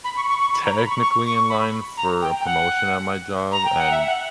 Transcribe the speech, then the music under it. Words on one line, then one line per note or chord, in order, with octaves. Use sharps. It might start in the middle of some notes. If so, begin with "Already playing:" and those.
technically in line for a promotion at my job, and
B5
C#6
B5
C#6
C#6
B5
A#5
B5
C#6
C#6
C#6
B5
A#5
G5
G5
F#5
A#5
G5
F#5
E5
F#5